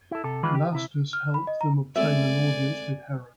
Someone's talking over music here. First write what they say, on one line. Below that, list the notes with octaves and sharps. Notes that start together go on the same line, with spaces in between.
Blastus helped them obtain an audience with Herod.
E4 A4
C3 A4
D#3 E3 G#3 F4 B4
G4
C3 E4
F6
B5
D#5
A#5
G#3 A3 C4 D5 E5 G#5